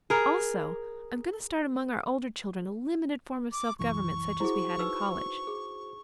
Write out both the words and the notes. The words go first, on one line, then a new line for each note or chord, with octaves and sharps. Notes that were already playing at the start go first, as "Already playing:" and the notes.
Also I am going to start among our older children a limited form of self-government such as we had in college.
G#4 A#4
D6
C2 F#2 E3 C#6
E4 F#4 G#4 C5
D#4 B4 E6
G#4